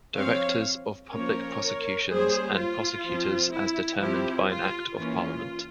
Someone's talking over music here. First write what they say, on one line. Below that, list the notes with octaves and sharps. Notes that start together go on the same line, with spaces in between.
Directors of Public Prosecutions and prosecutors as determined by an Act of Parliament.
F3 C4 C#5 F5
F3 A#3 C#4 A#4 C#5
G3 A#3 C#4 G#4 C5
F4
F3 C4
E4
F3 C4 E4 G4
F4
E3 A#3 C#4 F4